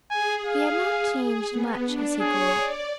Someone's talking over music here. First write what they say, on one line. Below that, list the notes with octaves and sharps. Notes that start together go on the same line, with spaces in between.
He had not changed much as he grew up.
G#4 G#5
F5
G#4
B3
D4
G#4 C#5
D5